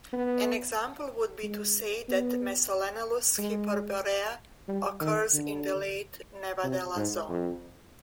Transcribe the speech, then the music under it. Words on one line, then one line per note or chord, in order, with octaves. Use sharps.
An example would be to say that "Mesolenellus hyperborea" occurs in the late "Nevadella"-zone.
B3
G#3
B3
G#3
G3
D#3
D3
C3
G#2
F2